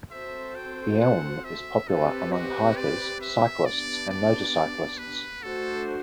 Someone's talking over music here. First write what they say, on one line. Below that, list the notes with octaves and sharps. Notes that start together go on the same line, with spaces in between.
The Elm is a popular among hikers, cyclists, and motor cyclists.
C4 F#4 A4 C5 E5
G5
F#5
E5
C4 G4 A4 B4
F#4
D5
E5
B3 D4 G4 D5
D5
B4
A3 D4 F#4 A4 C5